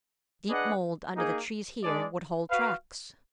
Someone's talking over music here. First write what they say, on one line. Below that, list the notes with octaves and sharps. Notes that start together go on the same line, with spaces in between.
Deep mold under the trees here would hold tracks.
D4 G#4 B4 D#5 F#5
A#3 D#4 G#4
G#3 D4 G#4 D5
F#4 B4 F5